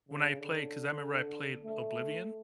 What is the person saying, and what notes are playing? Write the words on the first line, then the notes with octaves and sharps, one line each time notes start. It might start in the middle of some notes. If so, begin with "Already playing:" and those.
when I play 'cause I remember I played Oblivion.
C#3
D3
A3